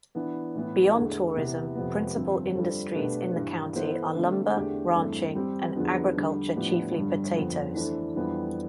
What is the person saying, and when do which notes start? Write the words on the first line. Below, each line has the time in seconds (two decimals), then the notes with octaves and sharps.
Beyond tourism, principal industries in the county are lumber, ranching and agriculture-chiefly potatoes.
0.15 E3 B3 D4
0.55 A2 E3 B3
0.95 E2 D3 A3
1.35 C3 E3 B3
1.75 F2 C3 F3 B3
2.16 G2 D3 F3 C4
2.55 G3 D4 F4 A4 C5
2.95 B2 A3 D4 G4 B4
3.35 G2 E3 G3
3.75 E3 B3 E4 A4 C5
4.15 D3 A3 C4
4.56 E2 D3 A3 D4 G4
4.95 G2 E3 A3 C4
5.35 G3 C4 G4
5.75 E2 D3 F3 B3 D4
6.16 D3 G3 D4 G4
6.56 A2 F3 B3 D4 G4
6.95 G2 D3 G3
7.35 F2 D3 F3 B3
7.75 E3 A3 D4 A4 C5
8.15 F2 E3 G3 B3 D4